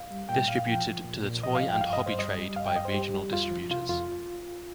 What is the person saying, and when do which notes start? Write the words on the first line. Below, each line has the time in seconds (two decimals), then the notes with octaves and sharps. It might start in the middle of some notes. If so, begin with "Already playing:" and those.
Distributed to the toy and hobby trade by regional distributors.
Already playing: F5
0.11 G3
0.29 A#2 G5
0.47 A#2 F5
0.67 F3 G5
0.86 F3
1.05 A#2
1.24 A#2
1.43 F3 D#5
1.55 F5
1.62 F3
1.68 G5
1.81 G2 F5
1.93 D#5
1.99 G2
2.06 C5
2.18 G3 D#5
2.38 G3
2.56 G2 F5
2.66 G5
2.75 G2 D#5
2.85 C5
2.94 G3 G4
3.14 G3
3.32 F2 F4
3.51 F3
3.70 C3 F4
3.89 F2 F4